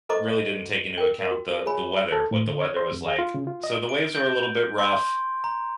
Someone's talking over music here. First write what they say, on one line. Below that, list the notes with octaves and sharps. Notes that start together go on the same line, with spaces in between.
really didn't take into account the the weather, what the weather was like, so, the waves were a little bit rough
A4 C5 D#5 A#5 C#6 D6
A#4 G5
F#4
G#4 C#5 G#5 B5
A4
A2
D3
C#5
C5
F2
G#4
F4
C#3
F4
D#5
D7
G6
C6
A#5